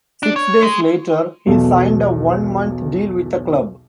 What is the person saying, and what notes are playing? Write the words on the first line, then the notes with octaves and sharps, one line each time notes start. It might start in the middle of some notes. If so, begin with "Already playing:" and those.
Six days later, he signed a one-month deal with the club.
D4
C#5
G#3
B1 E2 B2 A4